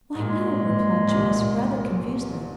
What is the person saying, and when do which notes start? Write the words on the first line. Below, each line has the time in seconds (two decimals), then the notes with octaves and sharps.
"Why, no!" replied Joyce, rather confusedly.
0.15 G#2
0.20 A#2 G#3
0.67 A#2
1.08 A#2
1.13 C2 C3
1.37 A#2